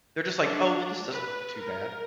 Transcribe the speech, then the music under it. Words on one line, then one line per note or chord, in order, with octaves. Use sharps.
They're just like, "Oh, well, this doesn't look too bad,"
D4
B4
A#4